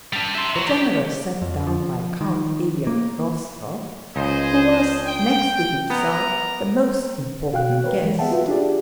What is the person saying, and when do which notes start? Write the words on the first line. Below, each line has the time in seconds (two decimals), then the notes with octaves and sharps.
The general sat down by Count Ilya Rostov, who was next to himself the most important guest.
0.13 G3 D4
0.35 E5 C6
0.56 C#5 A#5
0.70 G4
1.42 F2
1.67 F3
2.21 D#3
2.87 A#3
4.16 C#2 G#4 C5 D#5
5.05 G5
5.90 B3 A#4 D#5 A#5
7.52 B2 F#4 F5 G5 F#6
7.84 A#4 B4 C#5
8.01 E3 G#3
8.19 B3 G#4 E5 F#5 G5 A5
8.31 F4 F#4 B4 E5
8.48 D4 F4 G4 G#4 D5